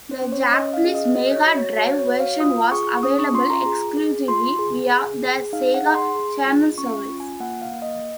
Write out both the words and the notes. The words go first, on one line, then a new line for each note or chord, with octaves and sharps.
The Japanese Mega Drive version was available exclusively via the Sega Channel service.
C5
C#4
C#5
C#4 D#5
F5
G#4
D#5
F#4 D#5
C#5
F#4
C#5
F#4 C#5
C#5
F#4
F5
F4 D#6
G#4 C#6
C#4 D#6
C#6
F4 C6
A#5
G#4
G#4
F4 C6
G#4
G#4
G#4
D#4 F5
F#5
G#4
C6
G#4
F4
C#4 C#6
F4
G#5
A#3 F#5
F5
A#3
D#5